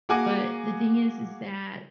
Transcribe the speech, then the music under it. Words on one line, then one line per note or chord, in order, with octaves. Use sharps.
but the thing is is that
A#3 F#4 G#4 F#5 G#5 D6